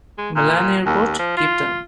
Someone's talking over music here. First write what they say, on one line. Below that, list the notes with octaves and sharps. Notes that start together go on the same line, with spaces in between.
Malan Airport, Cape Town.
G#3
A#2
D#2
F3
F4